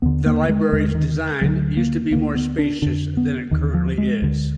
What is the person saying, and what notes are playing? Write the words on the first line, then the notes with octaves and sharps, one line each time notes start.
The library's design used to be more spacious than it currently is.
D#2 D3 B3
A#3
G#3
D#2 D3 G#3
D#3
D2 D3 F#3
A#3
D2 D3 A#3
B3
D4
F2 D3 D4
B3
D#2 D3 D#3
F3
G#3
D2 D3